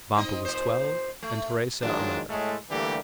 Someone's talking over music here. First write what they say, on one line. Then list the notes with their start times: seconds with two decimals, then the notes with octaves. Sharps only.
Vampa was twelve, and Teresa eleven.
0.15 C4 D#4 D#5
0.45 A#2 C5
1.22 A3
1.83 D#3 F3 F#3 G#3 D4
2.30 A2 G#3 A3
2.70 D3 E3 G3 A3 A#3 G4